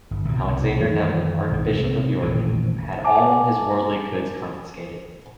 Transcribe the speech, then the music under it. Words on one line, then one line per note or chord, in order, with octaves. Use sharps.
Alexander Neville, Archbishop of York, had all his worldly goods confiscated.
G1
C2 B2 G3
F#2 D#3 E3
B1 G#2 D#3 E3
C3
D#1 A1 F2 C#3
G#5 A5 D6